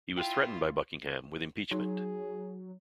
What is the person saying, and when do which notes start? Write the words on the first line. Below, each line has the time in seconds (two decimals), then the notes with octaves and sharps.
He was threatened by Buckingham with impeachment.
0.17 E4 F4 G5
1.71 F#3 D#4 G#4